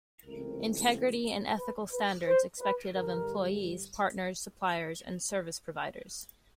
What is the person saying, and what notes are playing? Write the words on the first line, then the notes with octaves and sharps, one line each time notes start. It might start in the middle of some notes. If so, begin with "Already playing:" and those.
Integrity and ethical standards expected of employees, partners, suppliers and service providers.
C#2 C3 E3 A3 C4 A#4
B4
B4
C5
B4
G2 D3 G3 A#4